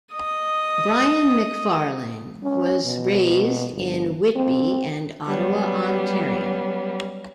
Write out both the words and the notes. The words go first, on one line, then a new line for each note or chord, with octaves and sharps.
Brian McFarlane was raised in Whitby and Ottawa Ontario.
D#5 D#6
C#4
B2
G1
C4
F#3 G3 B3 C#4